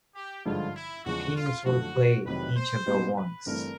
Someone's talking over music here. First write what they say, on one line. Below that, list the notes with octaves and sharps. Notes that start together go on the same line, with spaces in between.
Teams will play each other once.
G4
G#1 G2 D3 F3 G#3 F4
E4
E2 C#3 F3 G#3 F#4
F4
F#2 D3 F3 A3 F#4
F1 F2 C3 D#3 F#3 B4
C5
A#2 G3 B3 D#4 G4
B4
G1 G2 E3 A3 C4 A#4